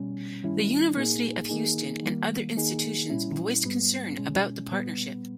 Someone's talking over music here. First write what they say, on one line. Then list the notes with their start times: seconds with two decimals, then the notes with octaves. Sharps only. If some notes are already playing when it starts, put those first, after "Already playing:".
The University of Houston and other institutions voiced concern about the partnership.
Already playing: B2 G3 C#4
0.42 G2 D#3 G3 C#4 E4
0.96 A#2 A#3 D#4 G#4
1.49 D#3 A#3 D#4 G#4
2.03 D#3 G3 A#3
2.57 D#3 A#3 D#4 G#4
3.10 A#2 G3 C#4 E4
3.63 G#2 G3 B3
4.17 B2 G#3 C#4
4.71 A#2 G3 B3